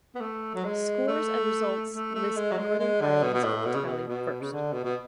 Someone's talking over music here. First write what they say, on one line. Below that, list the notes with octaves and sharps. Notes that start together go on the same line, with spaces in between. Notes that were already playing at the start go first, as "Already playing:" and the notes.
Scores and results list Northern Ireland's goal tally first.
B3
A3
F#3
G#3
A3
A3
A3
G#3
F#3
G#3
G#3
D3
B2
B2
A2
B2
C#3
B2
B2
C#3
D3
B2
B2